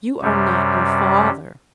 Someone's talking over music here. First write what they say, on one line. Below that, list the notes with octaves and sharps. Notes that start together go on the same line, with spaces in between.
'You are not your father.'
F#2 C3 G3